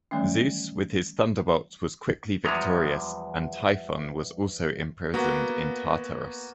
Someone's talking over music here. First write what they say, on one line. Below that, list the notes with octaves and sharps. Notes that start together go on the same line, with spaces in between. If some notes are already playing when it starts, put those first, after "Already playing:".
Zeus with his thunderbolts was quickly victorious, and Typhon was also imprisoned in Tartarus.
D#3 E3 F#3 G3 A3 C#4
E2 F3 G3 G#3 A#5
A#3 B3 F#4